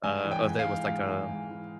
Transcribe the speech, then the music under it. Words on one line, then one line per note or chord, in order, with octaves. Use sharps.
uh, of it was like a
G#2 G#5
E3
G5
G#2
F5
E3
G#2 F5
E3
G#2
E3